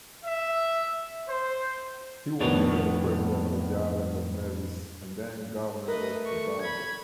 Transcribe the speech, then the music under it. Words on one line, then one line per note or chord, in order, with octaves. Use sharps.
He was later President of the island of Nevis and then Governor of Tobago.
E5
C5
F2 A2 D#3 B3 D4 C#5
A3 A#4 B4 D#5
C#6
B5 G#6